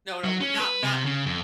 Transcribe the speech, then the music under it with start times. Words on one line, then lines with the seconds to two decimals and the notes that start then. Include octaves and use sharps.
No, no, w not not
0.24 F#3
0.41 C#4
0.60 B4
0.83 C3
1.05 C#3
1.26 F2